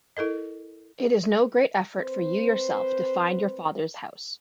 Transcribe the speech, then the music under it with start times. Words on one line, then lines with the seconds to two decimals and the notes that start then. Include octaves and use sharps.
It is no great effort for you yourself to find your father’s house.
0.17 E4 A4 A#4 D#5
1.98 C4 B4 C5